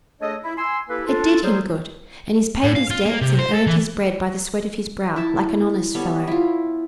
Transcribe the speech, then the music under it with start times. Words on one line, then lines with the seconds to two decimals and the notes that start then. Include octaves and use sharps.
It did him good, and he's paid his debts and earned his bread by the sweat of his brow, like an honest fellow.'
0.21 A3 D4 G#4 A4 C#5 D#5
0.43 E4
0.57 G#5 C6 E6
0.89 A#3 E4 G4 A4 B4
1.07 D4 F4 A4
1.43 F#3 G3 G#4 C5
2.64 A2
2.75 F5
2.90 F4
3.06 A#3
3.21 C3
3.39 C5
3.53 A4
3.67 E3
5.16 E4 A5
5.95 G3 B3 A4 C#5
6.27 E4 F4